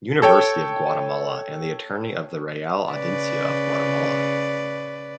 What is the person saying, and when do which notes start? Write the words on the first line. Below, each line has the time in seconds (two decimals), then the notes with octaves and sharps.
University of Guatemala and the Attorney of the Real Audiencia of Guatemala.
0.22 A4 C#5 G5
2.91 C#3 B4 D5